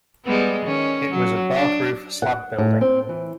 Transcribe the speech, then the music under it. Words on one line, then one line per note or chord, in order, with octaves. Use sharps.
It was a bark-roof slab building.
G3 G#3 B3
D#3 C#4
F#3
D4
F#5
A2
C4
E3